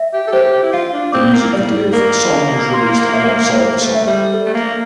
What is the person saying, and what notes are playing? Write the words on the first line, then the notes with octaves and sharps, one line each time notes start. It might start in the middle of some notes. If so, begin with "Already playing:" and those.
The music video for the song was released alongside the song.
Already playing: E5
G4
A4
G4 C5
G4
E4
F4 F5
D4
C4 D6
A#3
G3 D5
G3
A#3 A#4
F5
C6
E5
A#3 C5
A3
E5
G3
A4
A3
A#3